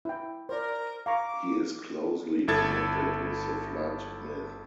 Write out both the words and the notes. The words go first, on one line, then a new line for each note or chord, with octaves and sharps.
He is closely connected with the Flood myth.
E4 G5
A#4 C5 D5
F5 A#5 C#6 D6
G1 E4 A4 G#6 A6